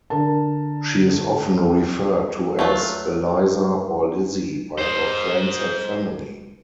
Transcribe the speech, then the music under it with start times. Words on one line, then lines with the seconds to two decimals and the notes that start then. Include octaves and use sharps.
She is often referred to as Eliza or Lizzy by her friends and family.
0.10 D3 A#4 A5
2.59 F#3 A3 F4
4.78 C5 D#5